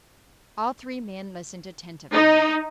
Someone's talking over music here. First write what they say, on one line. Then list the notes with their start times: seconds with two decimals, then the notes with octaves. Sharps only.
All three men listened attentively.
2.13 D#4